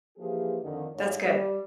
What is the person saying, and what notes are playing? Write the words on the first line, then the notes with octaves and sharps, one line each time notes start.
That's good.
E3 F3 A#3 G4 G#4
F2 D3 D#3
G#2 A3 C#5
G3